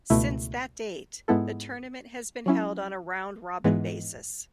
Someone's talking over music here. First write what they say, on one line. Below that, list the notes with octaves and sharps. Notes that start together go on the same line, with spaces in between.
Since that date, the tournament has been held on a round-robin basis.
C#2 B2 A3 E4
G#2 G#3 B3 E4 A4
F#3 C#4 E4
G#2 E3 G#3 B3